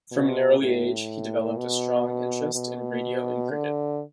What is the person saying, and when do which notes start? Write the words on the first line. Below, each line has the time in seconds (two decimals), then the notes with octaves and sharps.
From an early age he developed a strong interest in radio and cricket.
0.12 B2
0.61 A2
1.57 B2
2.54 B2
3.51 D3